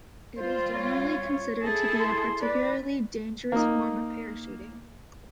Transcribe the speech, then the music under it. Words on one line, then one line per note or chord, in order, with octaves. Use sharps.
It is generally considered to be a particularly dangerous form of parachuting.
G3 C4 F4 C5
C#5
E4 G#4 A4
C6
B4 D5
A#3 D#4